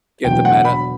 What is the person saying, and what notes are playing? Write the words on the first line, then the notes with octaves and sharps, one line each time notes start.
Get the Meta.
E1 E2 D3 F#3 G5
F#5
B5